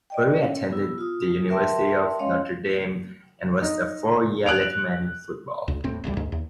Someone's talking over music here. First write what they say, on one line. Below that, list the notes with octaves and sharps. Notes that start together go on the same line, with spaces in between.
Berry attended the University of Notre Dame and was a four-year letterman in football.
D5 D#5 G5
C#4
B3 E4
F4 D#6
A#4 B4 E5 G5 A5 C6
G#3 C#4 C#5 D#5 F5 C6
D#4
F#6 D7 F7
C#2
D#1 A2 C4
D1 A1 D2 G3
D2 G#2
D#2